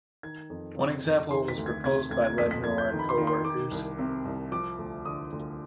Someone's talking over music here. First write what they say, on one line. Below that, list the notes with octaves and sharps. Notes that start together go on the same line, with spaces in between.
One example was proposed by Lednor and co-workers.
D#3 G#6
F2
C3
F2
D#3 C6
B6
D2
G#6
C3 G#6
D2 G#6
G#6
F2 B6
B6
F2 G#6
G6
D#3
B5
C6
D#3
C6
D#3 D6
C2
C3
C2
F3 D6
D2
D3 D#6
D2